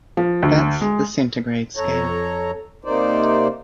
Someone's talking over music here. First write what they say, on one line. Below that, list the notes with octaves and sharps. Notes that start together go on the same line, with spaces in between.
That's the centigrade scale.
F3
D2
G#3
F2 A4 C#5 A#5
C3 A#3 D#4 C5 D5